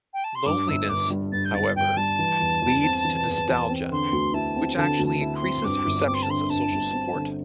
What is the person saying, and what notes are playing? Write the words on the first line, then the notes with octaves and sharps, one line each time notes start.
Loneliness, however, leads to nostalgia, which actually increases perceptions of social support.
G5
A5
C6
G2 D6
G1 E6
G1 D6
G3
G2 A6
G6
G1 A6
G1 G5
G3 A5
E3
E2
E2
C4
E3
E2
E2
C4
D3 C6
D2
E4 A5
C4
D3 A5
D2
A5
E4
C6
C4
G2 D6
G1
C4 D6
C6
A5
D3 C6
G2 A5
G1
C4
D3